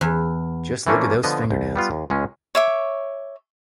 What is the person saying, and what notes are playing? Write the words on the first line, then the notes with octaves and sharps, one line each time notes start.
Just look at those fingernails!
E2
E3 F3 A3 A#3 C#4 D4
D3 F3 B3 D4 D#5
C2
G3 B3 F4
D#2
C#2 G#3 C#4
C#5 E5 D6